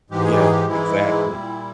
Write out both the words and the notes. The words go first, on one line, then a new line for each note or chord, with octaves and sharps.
Yeah. Exactly.
G#2 E3 G#3 G4
G#4
G4
G#4
G4
G#2 E3 G#3 E4
A#2 G3